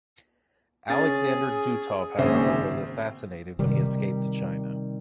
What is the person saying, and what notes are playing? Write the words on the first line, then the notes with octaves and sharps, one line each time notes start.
Alexander Dutov however was assassinated when he escaped to China.
C#4 G#4 A6
G#1 C#3 A#3 C5 E5
C3 D#3 G3